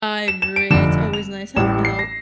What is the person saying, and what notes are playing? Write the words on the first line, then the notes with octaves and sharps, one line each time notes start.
I agree, it's always nice having help.
E7
E7
D7
F1 F2 D3 E7
F7
A1 A2 E3 G3 E7
C7
A#6